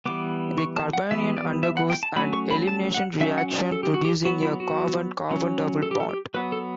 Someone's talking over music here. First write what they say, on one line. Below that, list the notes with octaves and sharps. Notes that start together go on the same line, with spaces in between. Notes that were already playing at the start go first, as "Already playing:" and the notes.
The carbanion undergoes an elimination reaction producing a carbon-carbon double bond.
E3 G3 B3 D6
C#6
A5
F#5
E3 G3 B3 E5
D5
E5
F#5
G5
A5
F#3 A3 C#4 B5
C#6
B5
A5
F#5
F#3 C#4 E5
F#5
D5
A4
G4
F#4
G4
F#3 B3 F#4
E4
F#4
F#3 C#4
A4
G4
A4
G4
F#3 B3 B4
A4